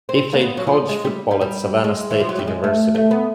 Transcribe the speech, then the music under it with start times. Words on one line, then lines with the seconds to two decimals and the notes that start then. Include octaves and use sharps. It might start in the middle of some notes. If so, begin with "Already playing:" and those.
He played college football at Savannah State University.
0.09 C4
0.33 A#3
0.41 B3
0.57 F#3
0.67 F3
0.89 G#3
1.05 G3
1.31 G3
1.41 G3
1.84 G#3
2.11 E3
2.20 F3
2.29 F#3
2.39 G3
2.47 G#3
2.64 A3
2.95 A3
3.11 B3